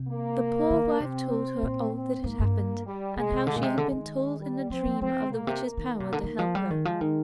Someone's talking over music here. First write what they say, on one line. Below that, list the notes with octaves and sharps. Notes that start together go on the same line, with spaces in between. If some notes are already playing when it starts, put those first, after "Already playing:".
The poor wife told her all that had happened and how she had been told in a dream of the witch's power to help her.
Already playing: C3
A#3
D#3
D#3
C3 C4
A#2
C4
G#2 A#3
G2
G3
C3 G#3
C3
D3 G#3
A#2
C3
D3 G#3
D#3
G3
F3 C4
F3
F3 C4
A#2 A#3
C3
A#3
D#3
C3
D3
D#3
F3
G3 G#3
D#3
F3 G#3
D#3